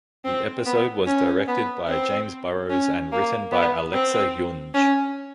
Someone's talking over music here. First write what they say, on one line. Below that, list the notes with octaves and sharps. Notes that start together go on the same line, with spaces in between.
The episode was directed by James Burrows and written by Alexa Junge.
C4
B3
C#4
B3
C4
C#4
A#3
B3
C4
C#4